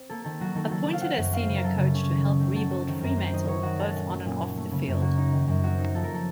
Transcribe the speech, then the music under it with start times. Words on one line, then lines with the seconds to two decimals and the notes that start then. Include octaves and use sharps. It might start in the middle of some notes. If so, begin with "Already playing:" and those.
Appointed as senior coach to help rebuild Fremantle both on and off the field.
Already playing: C4
0.09 A#3 A4
0.24 D#3 A4
0.40 F#3 F#4
0.55 D#3 A4
0.71 F#3 A4
0.86 C4
0.93 F5
1.02 D#3 F#5
1.18 F#2
1.33 C4 F5
1.48 C#3
1.57 A#4
1.64 F#3 A4
1.78 C#3
1.94 C#4
2.09 D#3
2.25 A3
2.40 D#3
2.56 F#3 A4
2.71 C4 F#4
2.87 D#3
3.02 F#2 A#4
3.17 C4 C5
3.33 D#3 D#5
3.48 F#3 C#5
3.63 D#3 F#4
3.78 C#4 A4
3.94 A#2
4.09 A3
4.26 A#2
4.41 F#3
4.57 A3
4.71 C#3
4.87 F#2
5.02 A#3 F#4
5.18 D#4
5.32 D#3
5.48 F#2
5.64 C4 F#4
5.78 D#4
5.94 F3 A4
6.04 A#4
6.14 A4